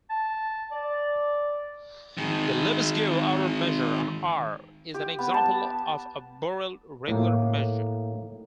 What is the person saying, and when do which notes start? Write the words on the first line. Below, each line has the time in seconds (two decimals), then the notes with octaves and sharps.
The Lebesgue outer measure on R is an example of a Borel regular measure.
0.10 A5
0.71 D5
2.17 D#3 G#3
4.94 G4
5.19 B3
5.34 A5
7.08 A2 A#3